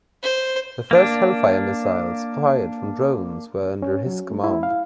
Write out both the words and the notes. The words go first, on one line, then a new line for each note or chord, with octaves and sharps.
The first Hellfire missiles fired from drones were under his command.
C5
A#3 D4
C#4
F#3
A3
E4
F5